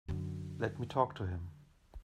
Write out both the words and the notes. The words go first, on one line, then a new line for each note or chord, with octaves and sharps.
Let me talk to him.
F#2 D3